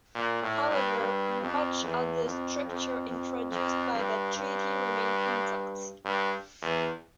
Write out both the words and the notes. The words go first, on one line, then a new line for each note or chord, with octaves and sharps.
However, much of the structure introduced by that treaty remained intact.
A#2
A2
G2
G2
F2
E2
F2
F2
F2
F2
G2
G2
G2
E2